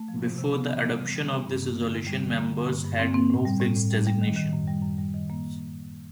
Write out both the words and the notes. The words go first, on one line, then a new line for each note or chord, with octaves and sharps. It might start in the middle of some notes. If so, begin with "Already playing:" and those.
Before the adoption of this resolution, members had no fixed designation.
Already playing: A3
F3
C3
C3
B3
E3
G3
E3
G3
G3
G2
B3
D3
G2
G3
D3
A#3
D3
G2
G2
C4
C4
A2
G3
A2
A2
G3
G3
D#3
D#3
F#2
G3
F#2
G3
D#3
A#3